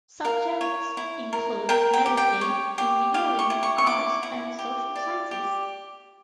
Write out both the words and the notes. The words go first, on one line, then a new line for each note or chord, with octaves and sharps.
Subjects include Medicine, Engineering, Arts and Social Sciences.
A#4 F5
C#5
E4
A#4
A#4 G5
G5
G4
G5
C#5
G4
G4 F5
C#6
E4
C#6
C#6
E4 D6
E4
G4
D5
G4